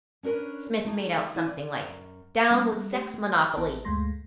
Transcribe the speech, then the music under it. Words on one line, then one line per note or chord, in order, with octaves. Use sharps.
Smith made out something like "Down with sex monopoly!"
C#4 D4 A#4 B4 C#5
A3 D#4 G#4
C#4 E4 G#5
D5
F#2
G3 A3 C#4
G3
A3 G4
A1 B3 A5
D2 G2 G#3 A3 C6 A#6